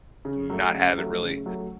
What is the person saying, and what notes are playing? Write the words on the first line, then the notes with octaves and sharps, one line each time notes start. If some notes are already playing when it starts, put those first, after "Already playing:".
not have it really
C#3
F#3 A3
C#3
F#3 A3
C#3
F#3 A3